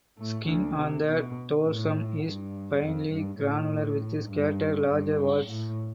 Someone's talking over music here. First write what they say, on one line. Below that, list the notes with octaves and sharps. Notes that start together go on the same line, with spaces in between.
Skin on the dorsum is finely granular with scattered larger warts.
A2 A3
D2 D3
C3
B2
A2
G2
F2
G2
A2
G2
G2
A2